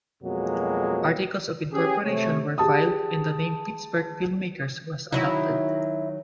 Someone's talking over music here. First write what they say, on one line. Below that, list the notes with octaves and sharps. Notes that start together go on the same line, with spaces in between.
Articles of incorporation were filed and the name Pittsburgh Filmmakers was adopted.
F2 B2 F#3 G#3 A#3
C#4 G4 G#4
C3 A3 C#5
G4 G#4 A5 D#6
D#3 F#3 D#4 E4